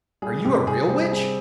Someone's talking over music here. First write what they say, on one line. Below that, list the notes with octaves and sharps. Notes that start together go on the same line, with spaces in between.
"Are you a real witch?"
G3 G#4
C3 G4
C3 G#4
G3 C5
C4 G#4